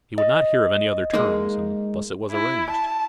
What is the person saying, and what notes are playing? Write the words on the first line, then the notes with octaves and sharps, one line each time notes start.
He would not hear of any other terms, and thus it was arranged.
D#5
G#3 A#3 D#4
E4
A5